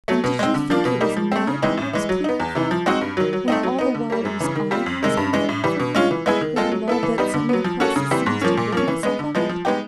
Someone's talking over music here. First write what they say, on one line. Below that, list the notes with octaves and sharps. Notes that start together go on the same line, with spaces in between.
And did you think it was Ned I was pleading for, when all the while it was I who was hungering for you with a love that sent me across the seas to rid myself of it?
F#3 A3
B2
G#3 C4
D3
F3 A#3 D4 F4
B2
G3 A#3 D#4
F3
A3 C4
C#3
E3 G#3 C4 D#4
A2
E3 G#3
F#3
B3 D#4
E2
C3 E3
F3
G#3 C4 D#4 F#4
G2
D#3 F#3
F#3
A3 C4 D#4
F#3
B3 D#4
D3
G3 A#3
F#2
C#3 E3
D#3
G3 C4 F4
F2
C3 D#3 G#3
G2
E3 G#3
A2
E3 G3
B2
G#3 C#4 F4
E3
G#3 B3 E4 G#4
D#3
G#3 C4 F4 A4
F#3
B3 E4 A4
E3
G3 B3 D#4
D3
F#3 B3
F3
A#3 C#4 F#4 A4
C#3
E3 G3 C4
G#2
F3 A#3 C#4
A#2
F3 A#3 C#4
E3
G#3 B3
D3
F3 G#3 B3
F3
G#3 B3 D#4 G4